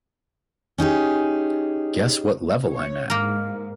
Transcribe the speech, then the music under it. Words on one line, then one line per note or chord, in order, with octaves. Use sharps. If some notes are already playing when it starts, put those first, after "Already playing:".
Guess what level I'm at?
C#4 D#4 G4 G#4
C#5
G#2 A#3 A#4